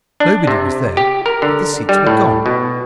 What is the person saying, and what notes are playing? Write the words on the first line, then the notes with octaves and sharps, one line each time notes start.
Nobody was there, but the seats were gone!
D4
C3
G4
A#4
D3
G3
A2
B2